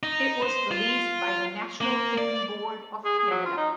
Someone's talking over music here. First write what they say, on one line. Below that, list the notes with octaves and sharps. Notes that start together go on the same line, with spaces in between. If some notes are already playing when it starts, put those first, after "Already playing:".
It was released by the National Film Board of Canada.
D#4
C5
F4
A#3
D5
G#4
G#4
F#3
F4
D#4